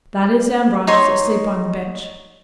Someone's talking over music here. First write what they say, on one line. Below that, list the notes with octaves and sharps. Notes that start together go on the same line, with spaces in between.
That is Ambrosch, asleep on the bench.
D#4 C#5 C6